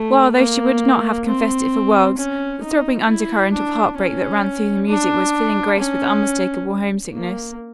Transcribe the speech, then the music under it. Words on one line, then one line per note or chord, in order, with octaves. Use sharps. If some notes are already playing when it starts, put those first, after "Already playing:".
While, though she would not have confessed it for worlds, the throbbing undercurrent of heart break that ran through the music was filling Grace with unmistakable homesickness.
Already playing: A3
A#3
C4
C#4
D#4
E4
D4
C#4
D4
C#4
A#3